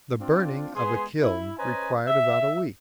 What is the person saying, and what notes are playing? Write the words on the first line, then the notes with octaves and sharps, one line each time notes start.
The burning of a kiln required about a week.
C4 D4 F4
G#3 B3 G#4 G#5 C6
E4
C#4 B4 C5 D#5 G#5 A#5
E5